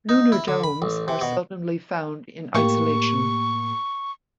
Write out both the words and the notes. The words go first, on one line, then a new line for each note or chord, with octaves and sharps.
Lunar domes are seldomly found in isolation.
D#4
E4
D3
B5
A1
C3
B2
A2 A#3 G4 C#6